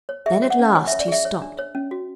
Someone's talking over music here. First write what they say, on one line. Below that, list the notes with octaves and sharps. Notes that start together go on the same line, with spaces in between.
Then at last he stopped.
C#5
G#4 E5
C#5
F#5
C#4
C#5 G#5
C#5 E5
D5
G#4 E5
C#5
D4
C#5
C#4
F#4